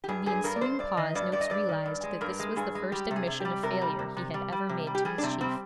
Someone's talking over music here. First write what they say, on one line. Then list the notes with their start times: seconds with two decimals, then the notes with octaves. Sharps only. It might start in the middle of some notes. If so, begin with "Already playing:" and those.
In the ensuing pause Noakes realized that this was the first admission of failure he had ever made to his chief.
0.04 G4
0.09 G2 G#4
0.26 G2 G#4
0.44 G2 A#4
0.56 D5
0.61 G2 C5
0.79 G2 D5
0.97 D#3 D#5
1.15 G2 D5
1.32 G2 D5
1.41 D#5
1.50 G2 D5
1.69 D#3
1.86 G2
2.03 G#3
2.21 G2 A#4
2.40 G#3
2.56 G2 G#4
2.75 G#3
2.92 G3 G4
3.11 C3
3.16 G#4
3.27 C3
3.40 G3 G4
3.63 C3 A#4
3.81 G3
3.99 C3
4.17 C3
4.34 G3
4.52 G3
4.69 C3
4.87 G3
4.95 G4
5.05 G3 G#4
5.18 D4
5.23 C3 C4
5.40 G3 C4